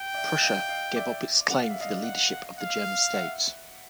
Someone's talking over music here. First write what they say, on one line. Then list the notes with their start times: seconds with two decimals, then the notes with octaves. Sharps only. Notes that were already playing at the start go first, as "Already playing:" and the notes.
Prussia gave up its claim for the leadership of the German states.
Already playing: G5
0.14 D5 E5
0.41 D#5 F5
0.69 D#5 F5
0.96 D5 E5
1.50 F#5
1.61 F5
1.70 E5
1.81 D#5 F5
2.04 F#5
2.59 F5
3.14 E5 F#5